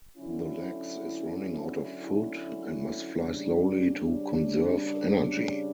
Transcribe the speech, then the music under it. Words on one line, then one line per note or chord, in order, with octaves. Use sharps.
The Lexx is running out of food and must fly slowly to conserve energy.
D3 F#3 C#4 E4
C#3 G3 D4